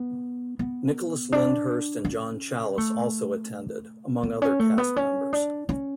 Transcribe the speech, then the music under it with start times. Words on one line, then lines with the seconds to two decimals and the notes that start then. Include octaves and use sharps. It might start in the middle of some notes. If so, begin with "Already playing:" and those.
Nicholas Lyndhurst and John Challis also attended among other cast members.
Already playing: B3
0.59 B3
1.32 D4
2.05 C#4
2.78 A3
4.23 B3
4.42 C#4
4.59 A3
4.78 B3
4.96 C#4
5.33 D4
5.69 C#4